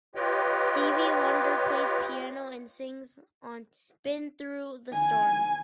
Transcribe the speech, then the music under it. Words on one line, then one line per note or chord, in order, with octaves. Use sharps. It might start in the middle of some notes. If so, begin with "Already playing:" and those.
Stevie Wonder plays piano and sings on "Been Through the Storm".
F4 G4 B4 C#5 D#5 G5
G#5